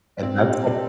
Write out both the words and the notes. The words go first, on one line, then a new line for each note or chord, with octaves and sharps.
and that's some
C4
G3
C4
G3